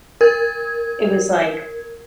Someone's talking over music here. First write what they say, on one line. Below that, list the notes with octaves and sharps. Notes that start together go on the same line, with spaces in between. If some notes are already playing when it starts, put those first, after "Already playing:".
it was like
A#4 G#6